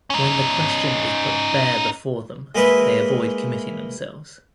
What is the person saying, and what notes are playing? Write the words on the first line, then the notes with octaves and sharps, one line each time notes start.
When the question is put bare before them they avoid committing themselves.
C#4 D#4
G#3 A#3 B4 D#5 E5